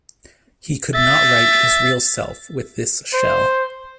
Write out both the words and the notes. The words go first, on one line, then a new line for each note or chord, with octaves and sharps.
He could not write his real self with this shell.
E5 A6
C5